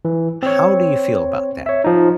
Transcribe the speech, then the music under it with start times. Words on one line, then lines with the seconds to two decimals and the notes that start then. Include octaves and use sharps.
how do you feel about that?
0.05 E3
0.43 C4 C#5
1.66 C#5 E5
1.84 F3 D#4